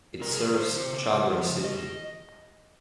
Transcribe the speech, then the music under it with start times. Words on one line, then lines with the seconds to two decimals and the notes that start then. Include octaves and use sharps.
It serves Chhabra city.
0.21 C3 A#4
0.33 G#4
0.39 D#3
0.45 A#4
0.57 D#3 C5
0.75 C3
0.93 C#3
1.10 C#3
1.29 F3
1.47 C#3
1.64 C#3 D#5